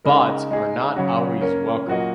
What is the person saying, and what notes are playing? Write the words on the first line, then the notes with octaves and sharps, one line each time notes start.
Bots are not always welcome.
C#3 G#3 D#4 A#4
G#3 D#4 G#4
C#3 F#3 C#4 F#4
A#3 C#4 A#4 C#5
A#2 F#3 A#3 F#4 D#5